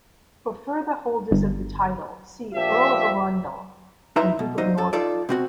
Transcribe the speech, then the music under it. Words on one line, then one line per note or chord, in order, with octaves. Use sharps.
For further holders of the title see Earl of Arundel and Duke of Norfolk.
G1
A#1 F3 G4 E5
D#4 E4 B4 E5 A#5 C6
B2
A#2 F#3 D#4 C5 D#5
F#2 A4
D#4 F4 A4 D5
B2 C4 F#4